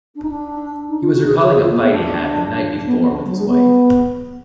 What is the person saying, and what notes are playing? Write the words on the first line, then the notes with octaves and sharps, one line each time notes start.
He was recalling a fight he had the night before with his wife.
D4
D#4
D4
D#4
F4
F#4
G#4
F#4
G#4
F4
A#3
B3
D4
D4
B3
B3
D4
G#3
F#3
G#3
B3